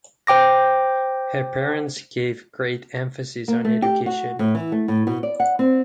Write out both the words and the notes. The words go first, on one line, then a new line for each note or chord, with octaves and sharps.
Her parents gave great emphasis on education.
C5 G5 D6 A#6
A#3
A3
G4
F#4
A2
E3
A3
A2
B2
D5
F#5
C4